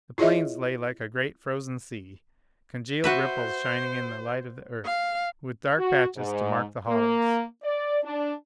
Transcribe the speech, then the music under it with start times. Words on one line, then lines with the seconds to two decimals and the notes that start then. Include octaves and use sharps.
The plains lay Like a great frozen sea, congealed ripples shining in the light of the Earth, with dark patches to mark the hollows.
0.18 E4 F4 G#4 C#5 D#5 E5
3.04 F#4 B4 C5 E5
4.85 F5
5.79 F#4
6.17 G#2
6.87 A#3
7.63 D5
8.04 D4